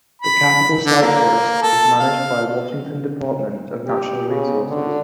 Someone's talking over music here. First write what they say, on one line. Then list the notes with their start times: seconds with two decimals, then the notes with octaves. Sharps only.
The Capitol State Forest is managed by Washington Department of Natural Resources.
0.22 B5
0.86 D3
1.02 A#3
1.63 A4
2.00 F5
3.87 G4
4.29 C#3
4.68 D3